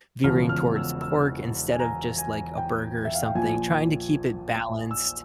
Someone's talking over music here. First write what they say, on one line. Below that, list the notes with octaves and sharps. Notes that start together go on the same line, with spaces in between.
veering towards pork instead of just, like, a burger or something trying to keep it balanced
E1 E2 C#3 F3 F6
F6
E6
E6
G#5
A#5
G#5
G5
E5
F5
G5
A#1 A#2 F3 G#5
E6